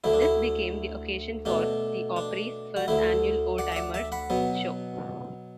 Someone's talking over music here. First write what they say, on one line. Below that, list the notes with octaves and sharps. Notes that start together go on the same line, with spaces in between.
This became the occasion for the Opry's first annual Old Timers' Show.
D2 D3 A3 E4
D4
E4
B2 A3 D4
D4
F#4
D2 D3 A3 E4
D5 F#5
E5
D5 F#5
E5 A5
F#5 B5
B2 F#3 B3